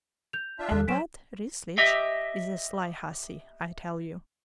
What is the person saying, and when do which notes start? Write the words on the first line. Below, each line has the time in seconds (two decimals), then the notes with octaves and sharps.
And that Resslich is a sly hussy, I tell you.
0.33 G6 F7
0.59 D4 F4 E5
0.71 E2 D#3 A4 F#6
0.88 F#3 C4 C#4 B6 D7 E7
1.78 G4 D#5 E5